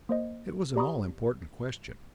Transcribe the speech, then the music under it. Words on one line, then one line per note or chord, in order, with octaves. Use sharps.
It was an all-important question.
A#3 C5 D#5
G4 D5 A#5 B5 C#6 D#6